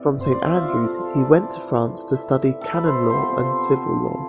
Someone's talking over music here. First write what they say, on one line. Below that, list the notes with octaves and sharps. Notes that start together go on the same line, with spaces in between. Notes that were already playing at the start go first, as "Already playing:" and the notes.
From Saint Andrews he went to France, to study canon law and civil law.
Already playing: C3 E3 B3 D5 E5
C5
D5
E5
F4
F4
A4
E5
E3 A3 E4 D5
E5
A4
B4
C5
C3 F3 B3 C5
A4